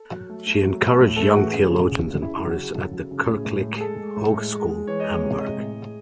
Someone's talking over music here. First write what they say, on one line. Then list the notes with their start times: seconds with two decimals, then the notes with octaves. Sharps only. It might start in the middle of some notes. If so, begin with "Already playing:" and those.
She encouraged young theologians and artists at the Kirchliche Hochschule Hamburg.
Already playing: A4
0.11 F#3
0.30 A3
0.47 A3
0.65 F#3
0.81 A3
1.00 A2
1.16 A3 A4
1.27 G#4
1.35 E3 F#4
1.47 G#4
1.53 C#3
1.70 C#3
1.87 C#3
2.04 C#3
2.22 C#3 E4
2.36 F#3 E4
2.50 F#4
2.58 C#3 G#4
2.75 C#3 A4
2.93 F#3
3.11 C#3
3.17 A4
3.28 A2 G#4
3.45 A2
3.63 G#3
3.76 G#4
3.81 G#3 A4
3.99 G#3
4.17 A2
4.34 G#3
4.52 G#3
4.69 G#3
4.87 E3 C#5
5.00 G#3 D#5
5.12 C#5
5.22 C3
5.32 C#5
5.40 G#3 D#5
5.57 A2
5.75 G#3